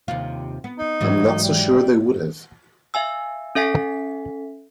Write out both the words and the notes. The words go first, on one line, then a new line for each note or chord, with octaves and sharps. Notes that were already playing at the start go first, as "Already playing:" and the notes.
I'm not so sure they would have.
D#2 C3 F4
B3
D#4
G#2 E3 F#3
G3
E5 F5 G#5 E6
C#4 A4 E5 G#5 B6